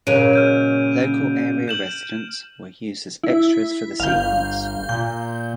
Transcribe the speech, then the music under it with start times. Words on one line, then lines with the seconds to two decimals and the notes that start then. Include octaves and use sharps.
Local area residents were used as extras for the sequence.
0.07 A#2 C#3 F#3 G#3 D7 D#7 F7
0.33 F6 G6 D#7
1.68 G6 E7 F#7
3.24 E4
4.00 G1 F5 G6
4.89 A#2 G6